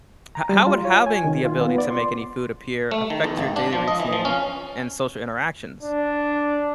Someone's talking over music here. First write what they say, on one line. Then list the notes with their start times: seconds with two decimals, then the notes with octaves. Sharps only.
h how would having the ability to make any food appear affect your daily routine and social interactions?
0.35 A#5
0.49 G3
0.67 F4
0.85 C#5
1.06 G#5
1.25 D#3
1.45 F4
1.61 B3
1.78 D5
1.91 C6
2.91 A3
3.10 D#3
3.24 E2
3.37 G#1
3.56 D4
3.73 F3
3.88 D#5
4.00 E3
4.13 F3
4.25 C#4
5.83 D4